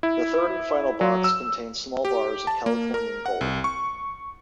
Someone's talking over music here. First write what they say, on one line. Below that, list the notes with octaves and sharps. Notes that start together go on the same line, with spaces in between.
The third and final box contained small bars of Californian gold.
E4
F#3
E6
G4
A5
A#3
A#4
F#5
C2
C#6